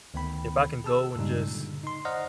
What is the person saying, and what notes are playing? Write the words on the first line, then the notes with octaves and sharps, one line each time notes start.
if I can go and just
D2 D#3 B3 G5 B5
G#4 A5 E6
G2 A#2 C#3 G3 G#3 D#4
D3
D#4 C6
C5 D5 D#5 F#5 A#5 F6